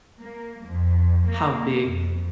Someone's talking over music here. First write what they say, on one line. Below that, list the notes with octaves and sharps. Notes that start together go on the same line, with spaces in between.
how big
A#3
F2
A#3
F2